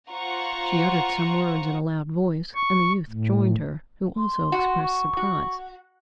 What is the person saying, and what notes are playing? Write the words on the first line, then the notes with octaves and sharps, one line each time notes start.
She uttered some words in a loud voice, and the youth joined her, who also expressed surprise.
F4 C5 F#5 A#5 C#6
C#6
A2
C6
F#4
C#6
F#4